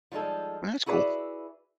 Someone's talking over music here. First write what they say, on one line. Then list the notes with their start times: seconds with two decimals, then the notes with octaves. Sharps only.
That's cool.
0.12 F3 G3 G#3 D#4 A4
0.86 E4 F#4 G#4 B4 D5 E5